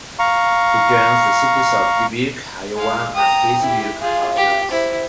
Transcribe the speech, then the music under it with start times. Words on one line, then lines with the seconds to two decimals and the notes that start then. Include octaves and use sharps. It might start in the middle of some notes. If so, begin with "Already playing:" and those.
It joins the cities of Dubuque, Iowa, and East Dubuque, Illinois.
0.19 F5 A#5 C#6
2.75 G#3 F5
3.15 G5 A#5 D#6
3.62 E4 G4
4.00 F4 G#4 F5
4.36 G4
4.71 E4 C5